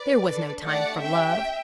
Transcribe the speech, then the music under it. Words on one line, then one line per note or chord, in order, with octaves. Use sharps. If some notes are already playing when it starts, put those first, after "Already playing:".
There was no time for love.
Already playing: B4 D5
D4 A4
A3 D4 G4 D5 F#5
C#4 G4 E5 G5